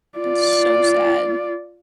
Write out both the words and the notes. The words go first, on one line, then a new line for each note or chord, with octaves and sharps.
It's so sad.
F4 D5